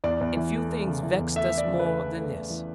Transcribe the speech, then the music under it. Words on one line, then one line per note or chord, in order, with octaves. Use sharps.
And few things vexed us more than this.
E2 D5
E2
E3
A3
A3
C#3
E3
E2
A3 E5
A3
D5
C#3
B4
A3
A3
A3
A3
E3